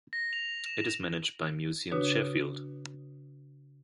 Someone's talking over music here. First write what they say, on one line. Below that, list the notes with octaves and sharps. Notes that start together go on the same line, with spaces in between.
It is managed by Museums Sheffield.
A#6
F7
E7
C#3 D4 F#4 B4 C#5 D#6